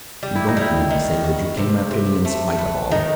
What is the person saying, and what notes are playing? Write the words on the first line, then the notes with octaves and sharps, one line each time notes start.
"You don't mean to say that you came after me in spite of all?"
G3
E4
D#4
G3 E4
D#3
F#4
C3
C3
A3
B4
D#3 D#4